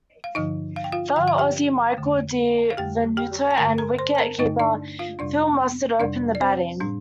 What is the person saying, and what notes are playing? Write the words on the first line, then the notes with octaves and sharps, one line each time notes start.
Fellow Aussie Michael Di Venuto and wicket-keeper Phil Mustard opened the batting.
F5
G2 D3 F3 D#4 D#5
F5
G5
F4 F5
G2 D3 F3 G5
F5
G4 G5
F2 D3 A3
F5
F2 D3 A3 G4 G5
G4 G5
A5
G2 D3 A3 A#4 A#5
A#4 A#5
C5 C6
A5
A#4 A#5
G2 D3 A3 D#4 D#5
D4 D5
F4 F5
F2 C3 G3 D4 D5
F2 C3 G3 D4 D5
D5
C4 C5
A2 G3 D4